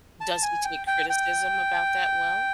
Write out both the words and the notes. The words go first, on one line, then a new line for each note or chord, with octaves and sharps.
Does he take criticism about that well?
A5
G#5
G5
G5
G5